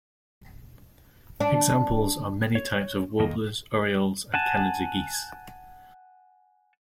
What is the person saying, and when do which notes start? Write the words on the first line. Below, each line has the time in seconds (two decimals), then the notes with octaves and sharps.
Examples are many types of warblers, orioles, and Canada geese.
1.40 D4
2.55 C#5
3.19 F2 D#3 A#3 D#5
4.34 F#5 G#5 A5